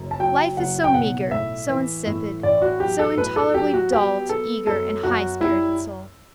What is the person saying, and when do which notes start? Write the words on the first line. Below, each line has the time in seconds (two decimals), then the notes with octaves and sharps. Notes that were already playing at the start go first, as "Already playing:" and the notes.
Life is so meagre, so insipid, so intolerably dull to eager and high-spirited souls!
Already playing: F#1 F#2
0.11 A5
0.20 F#3 G5
0.57 F#1 F#5
0.84 G5
0.94 B1 F#5
1.31 A2 E5
1.69 E3
2.06 A2
2.43 A1 D5
2.62 F#4
2.80 F#3 G4
2.99 A4
3.17 A2 B4
3.36 A4
3.54 F#3 G4
3.74 F#4
3.93 B3 G4
4.29 B3 A4
4.67 F#2 A4
5.03 F#2 F#4
5.40 G3 E4